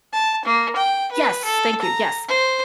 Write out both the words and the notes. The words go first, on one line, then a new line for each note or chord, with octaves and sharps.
Yes, thank you, yes,
A5
A#3
G5
B4
A4
A#5
C5